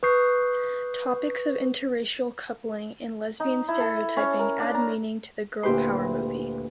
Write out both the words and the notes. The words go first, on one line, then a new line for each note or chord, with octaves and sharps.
Topics of interracial coupling and lesbian stereotyping add meaning to the girl power movie.
B4 C#6 D#6 G6 C7
D#4
E4
A4
C#4
A#4
D4
A#5
D2 A#2 E4 G4 B4 C6